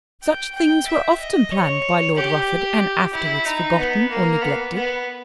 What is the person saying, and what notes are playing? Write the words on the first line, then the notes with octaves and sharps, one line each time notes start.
Such things were often planned by Lord Rufford, and afterwards forgotten or neglected.
G5
G5
E5
D#5
C#5
G4
E4
D#4
B3
A#3
B3
B3